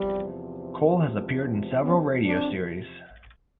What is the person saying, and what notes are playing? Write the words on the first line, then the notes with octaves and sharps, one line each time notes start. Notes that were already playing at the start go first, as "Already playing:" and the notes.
Cole has appeared in several radio series.
Already playing: E2 C3 F3 G3
B3 C#4
C4 D4